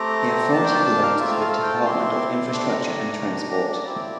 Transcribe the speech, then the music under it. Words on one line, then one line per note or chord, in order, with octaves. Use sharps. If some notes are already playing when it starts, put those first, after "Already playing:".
The authority belongs to the Department of Infrastructure and Transport.
Already playing: A3 C4 G4 A#5
A#3 D4 G4 A5
G5
A5
A5
F5
A3 C4 F4 E5
F5
F5
F5
G5
A5
C4 E4 G4 C6
A3 D4 G4 C6
A#5
A#3 D4 G4
A#5
D5
C4 E4 G4 D5